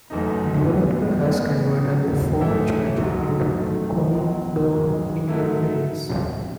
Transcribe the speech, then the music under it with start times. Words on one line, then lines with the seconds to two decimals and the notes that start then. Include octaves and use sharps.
A developer has converted the former church into condominium units.
0.10 F#1 F#2 E3 A3 D#4
0.68 A2 E3 B3
1.25 A1 A2 E3 B3 E4
1.83 A2 F#3 C#4
2.40 A1 G#2 E3 A3 E4
2.98 A1 G#2 F#3
3.55 F#2 D#3 A3
4.13 C#2 B2 F#3
4.71 G#1 F#2 E3 G#3
5.28 G#2 F#3 A3 E4